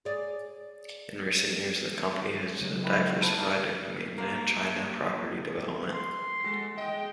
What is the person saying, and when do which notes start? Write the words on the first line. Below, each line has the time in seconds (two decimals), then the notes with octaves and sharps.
In recent years, the company has diversified into mainland China property development.
0.05 G#4 D5
2.61 C#3 F#3 G#3
2.83 D#3 E4
3.21 A4 B4 C5
3.37 G#4 F5
4.18 A#3
5.94 C6
6.44 G#3 F#4 A4
6.77 G#3 D#5 G5